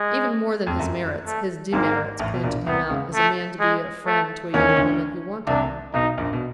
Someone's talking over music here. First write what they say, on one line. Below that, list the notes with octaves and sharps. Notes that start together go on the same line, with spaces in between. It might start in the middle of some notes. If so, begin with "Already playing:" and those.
Even more than his merits, his demerits pointed him out as a man to be a friend to a young woman who wanted one.
Already playing: G#3
F2
F#2
A3
G#1 G#2 A#3
A1 A2
B2
A#1 A#2
C2 C3 B3
C#2 C#3
A3
G#3
A3
D#2 D#3 C#4
D#3
D2 D3
C2 C3 D4
B1 B2 D#4
A#1 A#2
B2